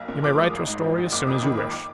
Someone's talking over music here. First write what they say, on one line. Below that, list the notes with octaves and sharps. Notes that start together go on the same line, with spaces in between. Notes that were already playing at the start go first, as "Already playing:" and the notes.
You may write your story as soon as you wish.
Already playing: B1 A#3
A#2
F3 D6
G#3 D#6
G#1
G#2
F3
G#1
F#1 D6
F2 D#6
D#3 B5
A#3 D6
D6